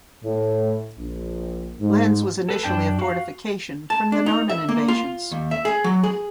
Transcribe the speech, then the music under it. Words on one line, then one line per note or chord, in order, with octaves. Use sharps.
Lens was initially a fortification from the Norman invasions.
A2
A#1
G#2
A4 B4
F#2 D4 G5 A5
F#4 F5
A5
D4
D#4
E5
A#3
F4
D#2
E5
G#4
F#3
G#4